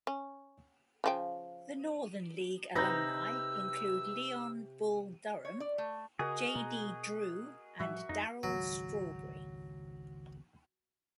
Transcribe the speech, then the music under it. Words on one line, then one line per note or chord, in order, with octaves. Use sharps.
The Northern League alumni include Leon "Bull" Durham, J. D. Drew, and Darryl Strawberry.
C#4
C#3 F3 G5
C3 D#4 B4 D#6 E6 G6 A#6
C#5
D5
A3
C#3 F#4 G#4 A#4 D#5
B2 B3 A#5
A2 F3 G3 F#4 E5
F2 D#4
G#1 C#2 F#3